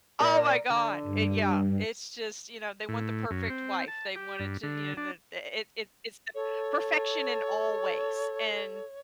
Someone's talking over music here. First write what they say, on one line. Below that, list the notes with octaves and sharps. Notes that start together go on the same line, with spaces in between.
Oh my God, eh yeah. It's just you know, they want the perfect wife. They wanted to, you know, the i i it's it's the perfection in all ways. And
A#2 A#4 D5
D3
G2
A2
F#2
C4
A5
G4
G2
D3
D4
A4 C#5